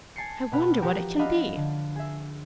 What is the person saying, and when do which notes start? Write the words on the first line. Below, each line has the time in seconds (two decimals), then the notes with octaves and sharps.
I wonder what it can be!
0.16 G#5 A5 C7 C#7
0.52 B2 G4 F#5 B5 F6
0.82 F3 F#4 G4 A#4
1.19 D4 D#5 F5 F#5 B5
1.56 D3
1.95 G#4 E5